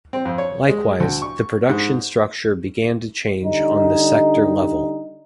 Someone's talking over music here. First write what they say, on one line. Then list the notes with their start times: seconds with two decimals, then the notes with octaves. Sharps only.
Likewise, the production structure began to change on the sector level.
0.13 C4
0.25 F2
0.38 C#5
0.69 G#3
1.00 D2
1.22 C#6
1.70 G#2
3.44 D3 G3 D#4